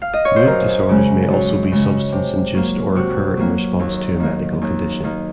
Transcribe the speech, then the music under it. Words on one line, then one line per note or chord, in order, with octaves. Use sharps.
Mood disorders may also be substance-induced or occur in response to a medical condition.
F5
D#5
C#5
C5
F#2 A#4
C#3 G#3
F#2
C#3 G#3
C3
F#3 A#3
C3 F#4
F#3 A#3
D#2
D#3 A#3
D#2
D#3 A#3